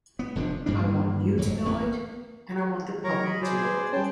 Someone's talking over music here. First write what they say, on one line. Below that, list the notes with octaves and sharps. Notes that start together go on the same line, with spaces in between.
I want you to know it, and I want the public to know it.
B3
F1 F3 C4 D4
G2 G3 A#3 D4
F#1 F2 G#2 F#3
A1 A#3 B3
F#3 A#4 C#5 A#5
D#5 B5
F#3 G#4 C5 D5
B4
G3 C#4 G5 A5